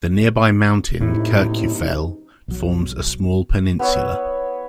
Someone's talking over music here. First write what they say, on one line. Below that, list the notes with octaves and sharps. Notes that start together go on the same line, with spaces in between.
The nearby mountain Kirkjufell forms a small peninsula.
F#1 A2 C3 D#4 E4
B1 F#3
B3 E4 B4 C#5